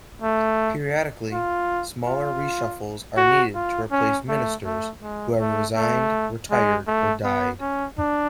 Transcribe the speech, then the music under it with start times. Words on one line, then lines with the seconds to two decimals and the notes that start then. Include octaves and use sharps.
Periodically, smaller reshuffles are needed to replace ministers who have resigned, retired or died.
0.22 A3
1.32 F4
2.06 F4
3.17 F#4
3.55 F4
3.92 C#4
4.29 A3
4.65 A3
5.03 G#3
5.39 A3
5.76 A3
6.51 G#3
6.87 A3
7.24 B3
7.60 C#4
7.99 D4